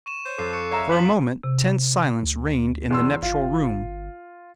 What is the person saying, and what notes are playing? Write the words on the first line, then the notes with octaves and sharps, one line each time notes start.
For a moment tense silence reigned in the nuptial-room.
C#6 D#7 E7
C5 C#5
F2 A4 D6 F#6 C7
C#6 F#6 C#7
G#3 A#4 C#5 E5 F5 A#5
F4 B6 F#7
C3
D2
E2 C6 E6
G1 F4